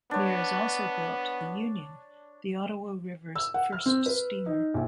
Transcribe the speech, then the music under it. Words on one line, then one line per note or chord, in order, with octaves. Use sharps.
Mears also built the Union, the Ottawa River's first steamer.
B3 D4 C#5
E6
F#5
F6
C4
B4
D#4
A#1